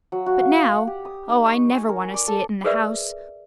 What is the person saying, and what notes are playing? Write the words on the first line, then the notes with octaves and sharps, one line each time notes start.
But now-- Oh, I never want to see it in the house!
F#3
F#4
F5
F#5
G4
D#6
D#4
C#6
G#5
A#4
D5
A4
G#4 A#4 B4 D5 E5